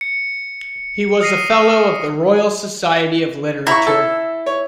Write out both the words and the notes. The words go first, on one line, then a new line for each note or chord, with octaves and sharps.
He was a fellow of the Royal Society of Literature.
C#7
D#6 F6 A#6 C7 D#7
E4 A#5 B5 C#6
A4
C#5